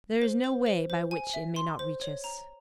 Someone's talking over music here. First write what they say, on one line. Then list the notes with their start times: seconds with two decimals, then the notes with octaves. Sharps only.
There is no way by which it may not reach us.
0.22 C5
0.44 C5
0.66 C5
0.90 C5
1.11 G#5
1.34 E5
1.56 C6
1.79 C5
2.01 C#5
2.24 A#5